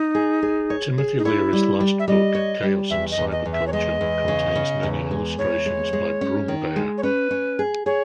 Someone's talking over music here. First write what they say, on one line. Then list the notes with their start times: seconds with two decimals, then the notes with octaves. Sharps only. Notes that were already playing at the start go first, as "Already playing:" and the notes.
Timothy Leary's last book "Chaos and Cyberculture" contains many illustrations by Brummbaer.
Already playing: D#4
0.15 G#4
0.43 G#4
0.70 C#5
0.98 G#4
1.18 D#4
1.25 E4 C#5
1.53 G3
1.80 G3
1.99 E5
2.08 G3 D#5
2.35 C#5
2.63 G3
2.90 E2 E5
3.11 D#5
3.18 E2
3.31 D#5
3.46 E2
3.52 E5
3.67 C#5
3.73 G#3 D#5
4.01 E2
4.28 C#3
4.55 C#3
4.83 E2
5.11 G#3
5.38 E2 C#5
5.66 G#3
5.93 G#3
6.21 C#4
6.48 D#3
6.76 G#3
6.98 C#5
7.03 C#4 B4
7.31 C#4
7.59 G#4
7.86 G#4 C#5